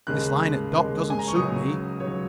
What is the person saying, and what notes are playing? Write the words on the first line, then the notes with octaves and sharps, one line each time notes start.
This lying at dock doesn't suit me.
D#2 C#3 G#3 F#6
D#2 C#3 G#3
G#5
A#5
C#6
C#2 C#3 F#3 D#6
C#2 C#3 F#3 C#5